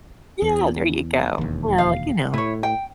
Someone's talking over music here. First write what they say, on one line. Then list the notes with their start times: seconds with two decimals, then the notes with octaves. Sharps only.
Yeah. There you go. Well, you know,
0.42 E2
1.38 E1 D#2
1.78 F5
2.34 A2 E4 C#5
2.63 G5